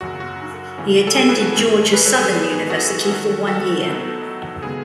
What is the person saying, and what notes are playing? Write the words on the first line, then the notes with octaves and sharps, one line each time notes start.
He attended Georgia Southern University for one year.
F#2 C#3 F#3 F#4
F#4
C#3 E3 A3 C#4
A4
G#4
G#4 B4
F#4 A4
G#2 D#3 A3 C#4 G#4
G#4 B4
A4 C#5
G#4 B4
G#2 E3 G#3 B3 D#4
F#4 A4
D#3 F#3 C#4
F#4 A4
A2 F#3 B3 D#4
C#3 G#3 B3 G#4